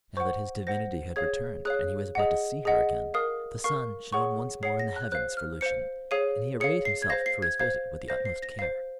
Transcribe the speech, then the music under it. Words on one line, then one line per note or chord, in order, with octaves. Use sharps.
Now that his divinity had returned, and he was about to see her again, the sun shone once more in the heavens for Lucian, and he arrayed himself for his visit with the utmost care.
C5 F#5 C#6
C5 F#5 A#6
G#4 C#5 F5 G#6
G#4 C#5 F5 F#6
G#4 D#5 F#5
G#4 D#5 F#5
A#4 F5 D#6
A#4 F5 C#6
G#4 C#5 F#5 C#6
G#4 C#5 F#5 C7
A#6
F#6
C5 F5 F#6
F6
C5 F5 C#7
G#4 C#5 F5 D#7
G#4 C#5 F5 C#7
C7
G#6
C5 F5 A#6
C7
G#6
C5 F5 G#6
C5 F5 A#6
C7
A#6
C5 F5 C7